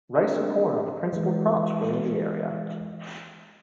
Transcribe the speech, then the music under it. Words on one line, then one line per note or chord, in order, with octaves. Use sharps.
Rice and corn are the principal crops grown in the area.
C4 D4 G4 G#4 A#4 D#5
E3 G#3